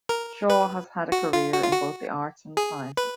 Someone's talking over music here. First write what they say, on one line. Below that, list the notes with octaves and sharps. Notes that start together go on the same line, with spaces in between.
Shaw has had a career in both the arts and the sciences.
A#4
B4
F#4
F4
F#4
F4
F#4
G#4
B4